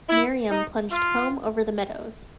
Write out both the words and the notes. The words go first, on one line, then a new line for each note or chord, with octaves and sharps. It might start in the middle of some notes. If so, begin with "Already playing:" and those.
Miriam plunged home over the meadows.
E4
D#4
F4